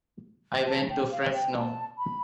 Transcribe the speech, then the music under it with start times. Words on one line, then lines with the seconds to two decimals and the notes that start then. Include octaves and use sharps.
I went to Fresno.
0.67 A5
0.89 G5
1.11 F5
1.33 G5
1.55 A5
1.98 B5